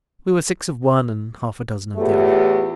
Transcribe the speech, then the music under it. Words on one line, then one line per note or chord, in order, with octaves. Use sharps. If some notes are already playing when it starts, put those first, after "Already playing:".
We were six of one and half-a-dozen of the other.
E2 A2 A3 F4 G4